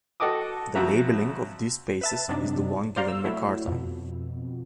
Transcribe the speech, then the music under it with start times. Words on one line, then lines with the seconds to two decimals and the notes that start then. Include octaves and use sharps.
The labelling of these spaces is the one given by Cartan.
0.20 F#4 A4 D#5 G5 D6 D#6
0.75 F2 C#3 F#3 F#4 E5 A#5
2.01 B4 E5 A5
2.28 F#2 C3 F#3 D4 D#4
2.96 C5 D5 F5 A#5 C6
3.08 E6
3.25 F#3 A3 E4
3.67 F2 B2